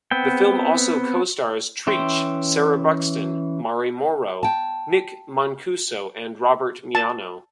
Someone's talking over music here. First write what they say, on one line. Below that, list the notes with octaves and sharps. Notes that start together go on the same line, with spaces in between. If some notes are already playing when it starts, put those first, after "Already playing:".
The film also co-stars Treach, Sarah Buxton, Mari Morrow, Nick Mancuso and Robert Miano.
B3 C4 G5
E3 C#4 E5 G5 C6
G5 A5
A5